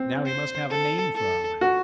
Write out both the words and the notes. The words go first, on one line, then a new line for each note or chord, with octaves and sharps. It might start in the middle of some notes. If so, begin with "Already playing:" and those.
Now we must have a name for our land.
Already playing: C4
C5
A4
A4
F#4